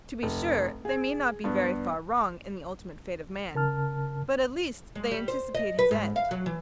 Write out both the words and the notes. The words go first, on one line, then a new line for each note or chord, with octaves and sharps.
To be sure, they may not be very far wrong in the ultimate fate of man, but at least they anticipate his end.
F1
G#4 G#6
G2 B3 D4
C#3 A#4 A5 F6
G#3
G3
C5
D#5
B4
G#2
F5
F#3
E3